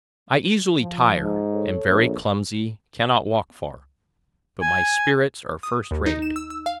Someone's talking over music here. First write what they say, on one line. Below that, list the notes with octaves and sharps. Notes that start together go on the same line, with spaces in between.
I easily tire, am very clumsy, cannot walk far; but my spirits are first-rate.
F3
G#2
A4 C#5
A#1
G#5
D#6
D#2
D#4
E7
E6
E6
F5